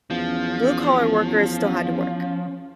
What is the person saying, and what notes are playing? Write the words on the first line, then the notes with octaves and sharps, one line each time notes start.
blue collar workers still had to work
E2 F3 C#4